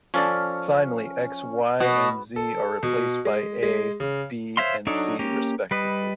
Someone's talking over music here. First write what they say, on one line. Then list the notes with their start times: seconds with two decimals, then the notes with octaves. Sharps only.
Finally, X, Y and Z are replaced by A, B and C respectively.
0.14 F3 C#4 A4 D5
1.80 B2
2.36 A4
2.83 B2
3.25 G#3
3.63 G#3
4.00 C#3
4.57 C5 C#5 E5 F5 C6
4.87 F#3 D4 D#4 A4 C#5
5.19 A#3 C#4 G4
5.71 G3 B4 D#5